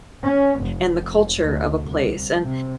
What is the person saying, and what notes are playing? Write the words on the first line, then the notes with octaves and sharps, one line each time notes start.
and the culture of a place." And,
C#4
F1
D2
C2
C3